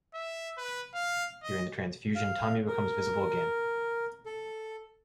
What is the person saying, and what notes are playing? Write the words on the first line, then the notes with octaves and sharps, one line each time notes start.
During the transfusion Tommy becomes visible again.
E5
B4
F5
D#5
F5
A#4
A4